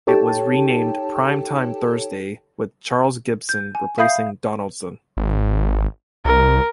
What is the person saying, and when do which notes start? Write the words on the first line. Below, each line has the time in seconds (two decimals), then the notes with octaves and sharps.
It was renamed "Primetime Thursday" with Charles Gibson replacing Donaldson.
0.07 D#4 G4 A4 C#5 G5 A5
3.49 G6
3.75 G#5
3.98 E5 F5 B5 D#6 G6 C7
5.17 G#1
6.25 C2 A#4